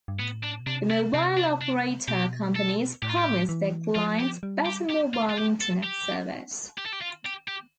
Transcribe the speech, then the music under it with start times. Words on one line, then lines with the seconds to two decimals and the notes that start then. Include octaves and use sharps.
The mobile operator companies promised their clients better mobile internet service.
0.08 G2
0.20 A2 B3
0.44 D4
0.60 B2
0.67 C3 D4
0.91 E4
1.14 C3 C4
1.37 D4
1.61 D4
2.08 B2 G4
2.55 A4
3.02 A2 G4
3.09 F4
3.16 G4
3.49 E3
3.95 F3 F4
4.20 G4
4.43 G3
4.66 G4
4.90 G4
5.14 F4
5.30 F4
5.37 G4
5.61 A4
5.84 G4
6.78 G4
6.86 A4
6.92 G4
7.01 F4
7.25 G4
7.48 G4